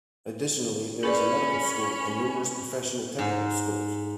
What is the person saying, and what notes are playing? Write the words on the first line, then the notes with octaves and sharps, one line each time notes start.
Additionally, there is a medical school and numerous professional technical schools.
C#4 G#4 B4 D5 B5
G#2